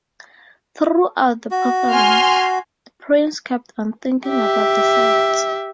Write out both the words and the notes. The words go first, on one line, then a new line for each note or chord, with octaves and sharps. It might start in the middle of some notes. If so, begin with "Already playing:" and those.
Throughout the performance, the prince kept on thinking about the sights.
F#4
G#5 C6 F6
G4 E5